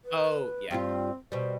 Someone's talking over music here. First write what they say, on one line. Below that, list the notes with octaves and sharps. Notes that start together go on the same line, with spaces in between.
Oh, yeah.
B4
G2 G3 C4 F4
B2 G3 C5